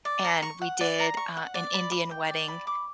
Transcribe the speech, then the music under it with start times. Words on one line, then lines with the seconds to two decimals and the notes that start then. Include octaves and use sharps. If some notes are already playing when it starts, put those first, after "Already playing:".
and we did, uh, an Indian wedding
0.05 D5
0.24 A#5
0.42 C#6
0.62 F#5
0.81 D5
0.99 A#5
1.17 C#6
1.37 F#5
1.54 D5
1.74 B5
1.92 D6
2.11 G5
2.29 D5
2.48 B5
2.67 D6